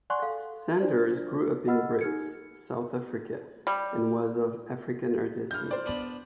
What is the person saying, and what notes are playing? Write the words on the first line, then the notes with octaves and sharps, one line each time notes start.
Sanders grew up in Brits, South Africa, and was of Afrikaner descent.
D5 F#5 G#5 C6 C#6 F#6
A4 F5
D4 C5 D5
D#5 F#5 B5 E6 F6 A6
D#4 G4 F6 G#6 C#7
G3
A#1 F6 G6
C5 D5
B3 D4 B5